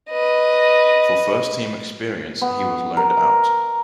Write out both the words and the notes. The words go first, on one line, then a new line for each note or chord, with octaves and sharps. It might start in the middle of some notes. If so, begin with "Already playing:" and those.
For first team experience he was loaned out.
B4 D#5
B3
A#4